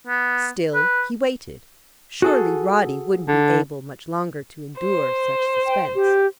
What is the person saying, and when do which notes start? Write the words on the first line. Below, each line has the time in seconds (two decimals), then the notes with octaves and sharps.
Still, he waited: surely Roddy wouldn't be able much longer to endure such suspense....
0.07 B3
0.74 B4
2.22 F#4 G#4 A4
3.28 D3
4.79 C5
5.66 G5
5.95 G4